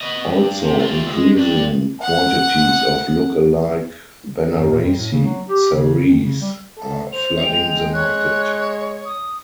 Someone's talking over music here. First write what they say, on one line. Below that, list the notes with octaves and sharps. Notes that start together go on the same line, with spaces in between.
Also, increasing quantities of look-alike Banarasi sarees are flooding the market.
B4 D#5
G2
C3
A3 F4
G#3
G2 D4
F#5 C#7
F#2
A#2
F2
A2
C#3
F#3
G4
C#3
F2
C#3
G3
A4
C5 F7
G#3 G5
C#5 F#6
D#6